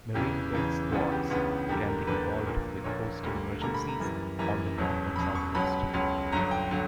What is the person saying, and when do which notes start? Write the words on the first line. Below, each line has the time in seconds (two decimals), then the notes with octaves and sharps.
Marine-based squads can be involved with coastal emergencies on the north and south coast.
0.14 E2 C#3 E3 G4
0.53 E2 C#3 E3
0.92 C#2 C#3 E3 B3 D4 F#4
1.12 G4
1.30 C#2 C#3 E3 B3 D4
1.69 E2 D3 G3 A#3 D4 G4
1.88 A#4
2.07 E2 D3 G3 A#3 D4 B4
2.46 A#1 A#2 A#3 D4
2.84 A#1 A#2 A#3 D4 C#5
3.23 D2 D3 G3 A#3
3.62 D2 D3 G3 A#3 A#5
3.75 B5
3.89 A#5
4.00 F#2 E3 G3 A#3
4.39 F#2 E3 G3 A#3 A#5
4.77 E1 E2 B2 F#3 C#4
5.16 E1 E2 B2 F#3 C#4 B5
5.35 C#6
5.55 C#2 B2 F#3 C#4 B5
5.93 C#2 B2 F#3 C#4
6.32 G1 G2 D3 F#3 A#5
6.51 G5
6.71 D3 F#3